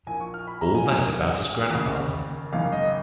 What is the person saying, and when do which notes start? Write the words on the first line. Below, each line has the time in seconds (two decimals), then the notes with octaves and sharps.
All that about his grandfather?
0.07 A#1 A#2 G#5
0.20 C#6
0.34 F6
0.47 B5
0.61 A#5
0.75 G#5
0.88 B1 A#2 G#5
1.70 D#2 C#3
2.52 G#1 F#2 C#3 F5
2.72 D#5